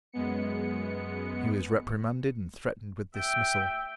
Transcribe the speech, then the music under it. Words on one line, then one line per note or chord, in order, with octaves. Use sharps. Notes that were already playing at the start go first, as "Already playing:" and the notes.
He was reprimanded, and threatened with dismissal.
F#2 G#3 B3 C#7
E5 G5